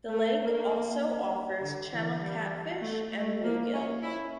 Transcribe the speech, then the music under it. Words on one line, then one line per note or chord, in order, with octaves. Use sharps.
The lake also offers channel catfish and bluegill.
A3
A#3
D3
E3
G3
A3
A3
A#3
C#4
E4